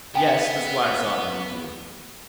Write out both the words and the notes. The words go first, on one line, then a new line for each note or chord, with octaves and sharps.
Yes, the Squire saw it running too.
B3 G5 G#5